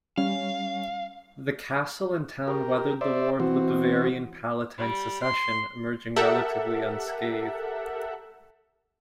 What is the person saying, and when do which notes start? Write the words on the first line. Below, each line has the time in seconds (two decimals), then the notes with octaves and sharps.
The castle and town weathered the War of the Bavarian-Palatine Succession, emerging relatively unscathed.
0.18 G3 C#4 F5
2.48 G4 A#4
3.01 C5 D5 E5
3.40 E3 C4 F#4
4.77 G3
5.21 C6
6.16 G4 A4 A#4 E5 F#5